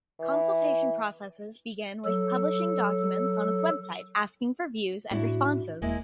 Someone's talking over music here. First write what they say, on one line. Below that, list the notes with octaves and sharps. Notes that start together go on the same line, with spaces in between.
Consultation processes begin with publishing documents on its website, asking for views and responses.
E3
F#3 A4
A2 D4 E4 F#4
E1 G#3 A#3 E4